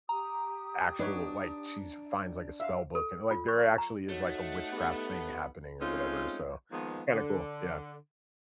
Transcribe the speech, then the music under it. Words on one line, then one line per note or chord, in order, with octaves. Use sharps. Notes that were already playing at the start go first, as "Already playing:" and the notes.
actual like, she's finds, like, a spell book. And, like, there actually is, like, a witchcraft thing happening or whatever, so it's kinda cool, yeah.
G4 A#5 D#6
D4 D#4 B4 C#5
E5 F5
A4
F4
C#6
A#5
A3 D#4 F#4 C#5 F#5
B3 G4 A4
G#3 A3 C4 C#4 D#4 F4
D#3 F3 G#3 A#3 B3
D3